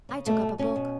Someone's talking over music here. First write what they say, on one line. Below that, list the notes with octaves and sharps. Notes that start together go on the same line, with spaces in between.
I took up a book.
C#3
B2 A3
B2
B2 C#4
B2